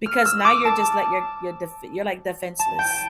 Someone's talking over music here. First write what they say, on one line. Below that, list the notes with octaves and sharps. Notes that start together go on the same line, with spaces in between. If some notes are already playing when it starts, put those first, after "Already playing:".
Because now you're just let your your defe you're, like, defenseless.
F6
E6
D6
A5
A5
G5